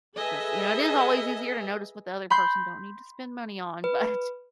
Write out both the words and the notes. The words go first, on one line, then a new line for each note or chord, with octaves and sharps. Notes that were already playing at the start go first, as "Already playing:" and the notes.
'cause, you know, it is always easier to notice what the other person don't need to spend money on, but
G#4 A4 B4 D#5 E5 G#5
B5 C6 G6 C7
B4